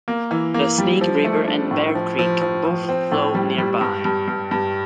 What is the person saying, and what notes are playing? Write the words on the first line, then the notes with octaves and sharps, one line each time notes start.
The Snake River and Bear Creek both flow nearby.
A#3
E3
A#3
G3
F3
A3
D4
A2
F3
F3
F3
F3
C4
A2
G3
G3
G2
G2
G2
G2